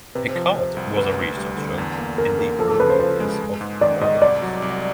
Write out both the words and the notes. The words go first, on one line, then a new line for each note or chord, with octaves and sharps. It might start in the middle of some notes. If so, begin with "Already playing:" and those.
Pickard was a researcher in the early days of wireless.
C3 B4
C5
F3
F3 C5
C2
D2 B4
D2
G3
D3
E2
A#3
C#3 A#4
A#3 A#4
F3 A4
A4
C#3 B4
C5
F3 C5
G#3
G#3
G#2
D#3 D5
G#2 D#5
C2 D5
F#3
C2